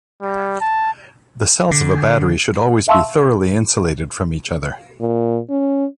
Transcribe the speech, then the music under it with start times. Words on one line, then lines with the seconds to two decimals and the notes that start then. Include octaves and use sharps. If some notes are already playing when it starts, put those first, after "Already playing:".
The cells of a battery should always be thoroughly insulated from each other.
0.22 G3
0.61 A5
1.71 D3
2.88 E5 F5 A5 C6 C#6 E6
5.00 A#2
5.50 C#4